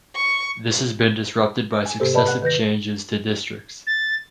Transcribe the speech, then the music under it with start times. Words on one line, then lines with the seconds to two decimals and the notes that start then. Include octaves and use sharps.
This has been disrupted by successive changes to districts.
0.16 C#6
1.86 G#5
2.00 G#2 C3 A#3 G4 A4 C5
2.14 B4 D5 D#5 A5 B5
2.27 F#5 F#6
2.42 D#3 B4 G6 A#6
3.87 A6